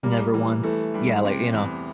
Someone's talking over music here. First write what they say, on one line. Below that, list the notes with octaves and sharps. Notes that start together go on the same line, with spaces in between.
Never once Yeah, like, you know,
G3 A#3
E3
E3 A3
G2
C3
E2